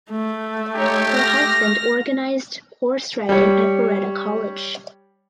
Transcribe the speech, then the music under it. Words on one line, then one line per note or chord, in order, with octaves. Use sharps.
Her husband organised horse riding at Beretta College.
A3
D#4 G4 C#5
F6 A#6
G3 C#5